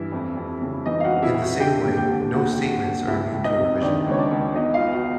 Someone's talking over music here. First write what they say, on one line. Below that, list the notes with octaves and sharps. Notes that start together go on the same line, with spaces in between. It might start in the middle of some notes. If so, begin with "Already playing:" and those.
In the same way, no statements are immune to revision.
Already playing: G2 E3 E4 E5
F2
F2
C#3
E3 D#4 D#5
F5
F#4 F#5
F2
E4 E5
F2
F#4 F#5
D3 G4 G5
D#2
G4 G5
D3
D#2 F#4 F#5
D3
D#2
C#2 E4 E5
C#2
D#4 D#5
C3
D#3 D4 D5
C#2 C#5
D4 D5
C#2
E2 D#4 D#5
F4 F5
E2
F#4 F#5